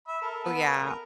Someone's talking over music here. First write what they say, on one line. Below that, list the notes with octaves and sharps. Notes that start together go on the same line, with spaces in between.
Oh, yeah.
E5 B5
A4 A#4
B3 B4
A#4